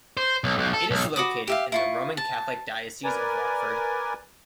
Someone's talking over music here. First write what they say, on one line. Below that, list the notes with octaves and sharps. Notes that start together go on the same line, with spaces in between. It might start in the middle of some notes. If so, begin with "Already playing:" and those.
It is located in the Roman Catholic Diocese of Rockford.
C5
B1
B1
A4
B1
F#4 B5 D6 D#6
G4 E5 F5
E4 F4 C#6
A5
A#4 B4 D5 G#5